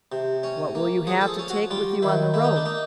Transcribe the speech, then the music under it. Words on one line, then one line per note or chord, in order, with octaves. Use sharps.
"What will you have to take with you on the road?"
C3
C#4
A#3
F3 G#4
A4
G#4
C#4
F#4
G3 F4
D#3 E4
A#3 E4
D#4
D4
A#3 D#4